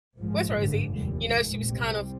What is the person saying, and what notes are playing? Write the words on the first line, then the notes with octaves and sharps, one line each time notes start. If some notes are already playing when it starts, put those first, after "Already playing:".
Where's Rosie?" You know, she was kind of,
A#1 G#2 F3 G#3
G#1 G2 D3
F1 D#2 D3 G3
A#1 A#2 G#3
C2 C3 G3 C4